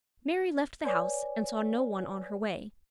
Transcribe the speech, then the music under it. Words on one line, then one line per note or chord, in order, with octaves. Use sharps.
Mary left the house, and saw no one on her way.
B4 C#5 D5 G#5